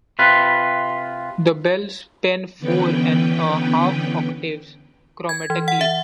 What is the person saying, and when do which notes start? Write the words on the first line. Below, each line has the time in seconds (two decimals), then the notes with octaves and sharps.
The bells span four and a half octaves chromatically.
0.19 C3 F4 B4
2.59 D3 E3 B3 C#4 B4 G5
5.29 G#6
5.50 E3
5.68 F#5
5.81 E5